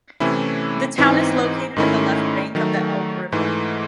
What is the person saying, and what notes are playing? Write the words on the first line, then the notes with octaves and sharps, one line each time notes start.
The town is located at the left bank of the Elbe river.
C3 E3 A3 C#4 E4
G#2 E3 C4 D#4
G#2 D#3 A3 C#4 E4
D#3 F#3 A3
G#2 E3 A3